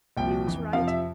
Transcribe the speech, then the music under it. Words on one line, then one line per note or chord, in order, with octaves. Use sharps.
He was right.
C2 A#2 F3 G5
F2 E3
F2 C3 F3 F5
E5